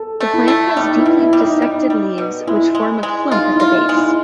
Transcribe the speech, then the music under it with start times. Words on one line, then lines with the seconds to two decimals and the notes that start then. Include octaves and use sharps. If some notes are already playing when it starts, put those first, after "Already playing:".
The plant has deeply dissected leaves which form a clump at the base.
Already playing: A4
0.21 A3
0.34 E4
0.48 A3
0.77 G3 D#4
0.97 E4
1.06 B2
1.19 E4
1.33 G3
1.40 D#4
1.61 G3 D#4
1.90 G3
2.18 B2
2.47 G#3 E4
2.75 G#3
3.03 G#3
3.32 D#4 F4
3.54 E4
3.60 F4
3.75 D#4
3.89 G#3
3.96 E4